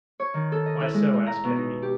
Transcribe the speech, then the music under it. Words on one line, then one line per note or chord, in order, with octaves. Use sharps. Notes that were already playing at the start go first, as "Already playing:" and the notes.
"Why so?" asked Kennedy.
C#5
D#3
A4
D#5
E4
G#3
A2
A#5
B2
D#4
G4